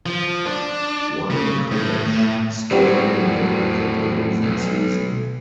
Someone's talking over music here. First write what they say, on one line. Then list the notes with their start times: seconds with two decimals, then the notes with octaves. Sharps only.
While in college Stirling never had a losing season.
0.06 F3
0.46 D4
1.30 C#3
1.72 A2
2.71 A2 F#3 G3 C4 F#4
4.43 B1